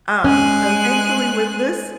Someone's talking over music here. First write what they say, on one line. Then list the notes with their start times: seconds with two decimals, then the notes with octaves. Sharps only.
Um, so thankfully, with this,
0.24 G#3 C#4 G#5 F#6